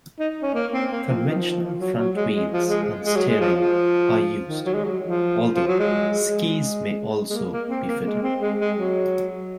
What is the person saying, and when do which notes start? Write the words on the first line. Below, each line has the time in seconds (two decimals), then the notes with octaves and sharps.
Conventional front wheels and steering are used, although skis may also be fitted.
0.19 D#4
0.42 C#4
0.54 A#3
0.73 C4
0.91 A#3
1.08 F3
1.26 D#3
1.38 F3
1.50 F3
1.62 F3
1.80 F#3
1.98 F#3
2.15 G#3
2.34 G#3
2.52 F3
2.69 G#3
3.06 G#3
3.16 F#3
3.29 G#3
3.41 F3
3.59 F3
4.48 D#3
4.65 F#3
4.74 G#3
4.84 F#3
5.02 F3
5.55 F3
5.68 F#3
5.79 G#3
6.27 G#3
7.30 G#3
7.33 A#3
7.51 A#3
7.69 C4
7.87 A#3
8.06 G#3
8.23 C4
8.41 G#3
8.60 G#3
8.77 F#3